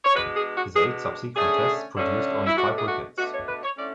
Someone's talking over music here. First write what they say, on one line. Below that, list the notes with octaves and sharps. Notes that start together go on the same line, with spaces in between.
His eight subsequent Tests produced only five wickets.
C#5
B2 G#3 D4 B4
G#4
F#4
B2 G#3 D4 G#4
D3 A3 C#4 G#4
D3 A3 C#4
E4
B2 A3 D4 F#4
G#4
F#4
B2 A3 D4 F#4
C#5
B4
C#5
D3 A3 C#4 E4 D5